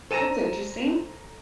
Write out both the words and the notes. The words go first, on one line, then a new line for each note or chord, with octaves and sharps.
That's interesting.
A4 C5 A#5 D#7 E7